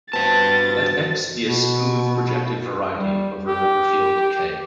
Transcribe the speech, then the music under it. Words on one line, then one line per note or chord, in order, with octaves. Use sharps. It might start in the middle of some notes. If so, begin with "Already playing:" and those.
Let "X" be a smooth projective variety over a number field "K".
G2 B2 C4 B4 A5 A6
B2
G3
G4